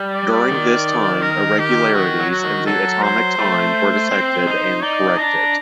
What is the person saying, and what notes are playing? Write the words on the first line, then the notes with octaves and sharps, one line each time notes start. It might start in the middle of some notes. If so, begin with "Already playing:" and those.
During this time, irregularities in the atomic time were detected and corrected.
Already playing: G3
D5
D#3
A#4
G4
D#3 F#4
F#3
F#4
D#3
F#3 A4
C5
A3
C4
D#4
D#4 D5
D4 A#5